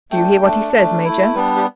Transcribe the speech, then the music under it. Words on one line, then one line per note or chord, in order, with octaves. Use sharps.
"Do you hear what he says, major?"
A3 D4 G5
A3 D4
A3 D4
A3 E4
G3 B3 D4 B4
G4